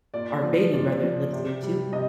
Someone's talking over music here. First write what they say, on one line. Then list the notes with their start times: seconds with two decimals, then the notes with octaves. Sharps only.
our baby brother lives here too.
0.14 A#2 D5
0.43 F3
0.73 A#2 D5
1.03 F3
1.33 C3
1.63 G3
1.93 C3 D#5